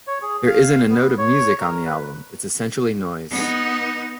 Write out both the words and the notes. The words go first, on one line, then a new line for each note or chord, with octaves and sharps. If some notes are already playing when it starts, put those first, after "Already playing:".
There isn't a note of music on the album; it's essentially noise.
C#5
G#4
F5
B3
C#5
A#4
B4
B3 D#4